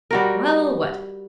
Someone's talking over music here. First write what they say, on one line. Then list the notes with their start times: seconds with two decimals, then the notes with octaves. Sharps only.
"Well, what?"
0.11 G3 F#4 A#4